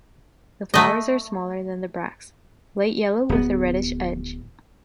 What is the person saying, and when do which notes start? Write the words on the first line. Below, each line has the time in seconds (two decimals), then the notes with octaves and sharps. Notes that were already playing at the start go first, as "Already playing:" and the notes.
The flowers are smaller than the bracts, light yellow with a reddish edge.
0.74 A3 D#5
3.29 D1 B3